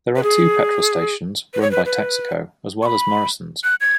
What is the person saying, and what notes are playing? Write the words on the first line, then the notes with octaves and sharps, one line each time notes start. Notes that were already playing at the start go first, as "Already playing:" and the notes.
There are two petrol stations, run by Texaco, as well as Morrisons.
B4
G#4
B4
C#5
B4
B4
C#6
B5
F#6
G#6